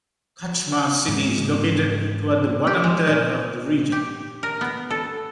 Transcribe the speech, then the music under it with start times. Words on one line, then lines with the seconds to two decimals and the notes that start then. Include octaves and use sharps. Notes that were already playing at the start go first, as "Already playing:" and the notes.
Khachmas city is located toward the bottom third of the region.
1.08 G#2 C#3 E3
2.67 G4
2.84 G#3
3.07 A#2
3.92 G4
4.43 A#4
4.61 B3
4.90 A4